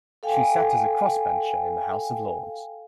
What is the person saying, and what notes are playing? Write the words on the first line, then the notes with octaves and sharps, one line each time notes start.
She sat as a cross-bencher in the House of Lords.
A4 F5 G5 G#5